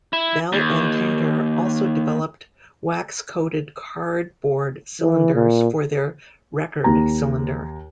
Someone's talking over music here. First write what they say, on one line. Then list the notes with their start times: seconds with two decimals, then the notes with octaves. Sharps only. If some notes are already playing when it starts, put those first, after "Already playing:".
Bell and Tainter also developed wax-coated cardboard cylinders for their record cylinder.
0.13 E4
0.53 D#2
5.01 E3
5.35 A#2
6.84 D#2 A#5